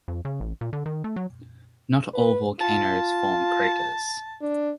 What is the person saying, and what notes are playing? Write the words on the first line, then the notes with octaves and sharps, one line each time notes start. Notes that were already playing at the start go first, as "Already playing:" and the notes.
Not all volcanoes form craters.
F2
C#3
A1
A#2
D3
D#3
A3
F#3
B4
F4 A5
D4